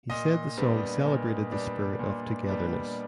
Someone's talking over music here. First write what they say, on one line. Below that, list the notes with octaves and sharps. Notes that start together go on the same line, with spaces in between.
He said the song celebrated the spirit of togetherness.
A#2 D#5
G3 B3 D4
A#2
G3 B3 D4
A#2
G3 B3 D4